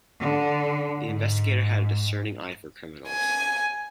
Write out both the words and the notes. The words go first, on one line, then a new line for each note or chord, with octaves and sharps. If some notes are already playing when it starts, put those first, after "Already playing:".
The investigator had a discerning eye for criminals.
D3
G#2
G#5